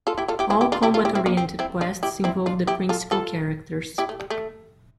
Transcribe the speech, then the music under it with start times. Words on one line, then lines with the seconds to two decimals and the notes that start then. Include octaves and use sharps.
All combat-oriented quests involve the principal characters.
0.07 F4 A4
0.18 E4 G4
0.28 F4 A4
0.39 E4 G4
0.50 C4 E4
0.61 E4 G4
0.72 D4 F4
0.83 E4 G4
0.94 F4 A4
1.05 E4 G4
1.15 C4 E4
1.26 A#3 D4
1.37 C4
1.59 C4 E4
1.81 D4 F4
2.03 E4 G4
2.24 C4 E4
2.46 D4 F4
2.67 E4 G4
2.89 F4 A4
3.11 F4 A4
3.98 E4 G4
4.09 A3
4.20 G3
4.30 A3